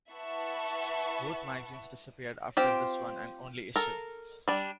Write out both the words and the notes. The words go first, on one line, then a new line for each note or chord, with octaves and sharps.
Both magazines disappeared after this one and only issue.
E4 B4 E5 F#5 A5 C#6
C4 F4 G4
A4 A#4
G3 D4